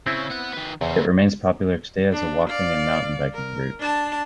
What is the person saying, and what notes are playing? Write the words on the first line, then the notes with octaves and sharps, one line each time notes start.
It remains popular today as a walking and mountain biking route.
C#3 C4 C#4 E4
B3 F#5
D#3 B4
E2 C#3 C4
D4
D5 F5
A#4
D4 A5